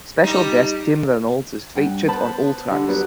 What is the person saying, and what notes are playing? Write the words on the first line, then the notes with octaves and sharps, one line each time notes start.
Special guest Tim Reynolds is featured on all tracks.
G3 D#4
G2 F#5 G5
B3 C5 A5 B5
D3 G3
F#3 G3 B3